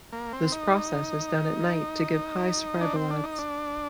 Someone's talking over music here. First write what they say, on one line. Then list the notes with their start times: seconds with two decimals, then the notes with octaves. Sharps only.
This process is done at night to give high survival odds.
0.12 A#3
0.33 C4
0.52 D#4
2.81 D4
2.96 C4
3.10 D4
3.24 D#4
3.38 D4